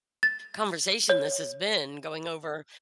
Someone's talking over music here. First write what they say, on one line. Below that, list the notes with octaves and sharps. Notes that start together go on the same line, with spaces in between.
conversation this has been, going over
A6
C#5